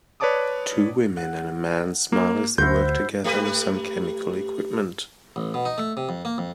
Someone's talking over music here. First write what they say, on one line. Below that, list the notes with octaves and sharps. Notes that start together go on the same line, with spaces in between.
Two women and a man smile as they work together with some chemical equipment.
B4 C#5 D5 A5 D6 D#6
F#5
A#3
D2 E4 F#4 C5 G6
A3 G4 B4
A1
B2
D#4
A3
C3
F2
A#3
F2